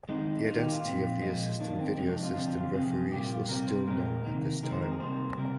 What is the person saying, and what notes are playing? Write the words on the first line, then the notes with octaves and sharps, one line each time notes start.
The identity of the assistant video assistant referees was still known at this time.
D#3 G#3 C4 D#4
D#3 A#3 F4
G4
F4
A#2 F3 C4
A#2 F3 G#3
D#3 A#3 D4
C4
C3 F3 G#3 C4
D4
F4
D3 F3 C4 D4
F4
F4
C3 F3 C4 G#4
A#2 G3 A#3 G4
F4
C3 G3 C4 A#4
C5
A#2 G#3 C4 A#4
A#4
C3 D#3 A#3
D#3 G#3 C4 A#4
C5
A#4
G#4
C3 G3 A#3 C5
C3 G3 A#3 A#4